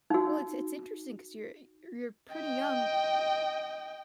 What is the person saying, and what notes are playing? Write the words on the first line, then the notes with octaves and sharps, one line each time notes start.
Well, it's it's interesting 'cause you're e you're pretty young
D#4 F#4
D#5 G5